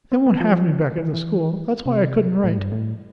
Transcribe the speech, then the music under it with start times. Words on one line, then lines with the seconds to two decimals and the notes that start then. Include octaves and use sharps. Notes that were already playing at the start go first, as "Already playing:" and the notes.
They won't have me back at the school--that's why I couldn't write.
0.12 C4
0.27 B3
0.40 F3
0.98 E3
1.14 E3
1.86 C3
2.44 A2
2.57 G2
2.72 A2